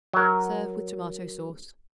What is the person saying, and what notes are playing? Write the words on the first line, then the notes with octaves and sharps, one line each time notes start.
Serve with tomato-sauce.
F#3 A#4